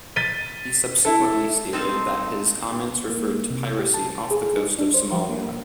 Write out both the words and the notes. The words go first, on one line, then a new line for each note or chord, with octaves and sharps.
He subsequently stated that his comments referred to piracy off the coast of Somalia.
A6 B6 D#7 G7
E4 A4
C4 D#4 A4 F5
A#3
C3
G4
A5
G#4
D#4
D4
C5
F3
A#3